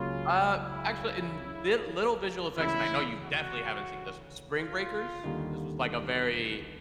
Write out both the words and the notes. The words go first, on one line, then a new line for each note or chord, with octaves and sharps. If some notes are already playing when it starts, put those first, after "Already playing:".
Uh, actually, in li little visual effects, and I know you definitely haven't seen this one Spring Breakers? This was like a very
Already playing: C#2 C#3 F#3 A#3 C#4 F4
E4
D2 C#3 E3 G#3 C#4 E4
F#4
F4
D#2 D3 G3 A#3 D#4